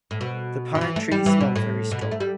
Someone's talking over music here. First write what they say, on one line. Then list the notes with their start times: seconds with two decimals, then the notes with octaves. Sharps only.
The pine-trees smelled very strong.
0.11 A2
0.21 B2
0.75 D3
0.81 E3
0.96 A3
1.11 G3
1.26 E3
1.40 B2
1.56 A2
1.92 B2
2.01 A2
2.11 A3
2.20 G3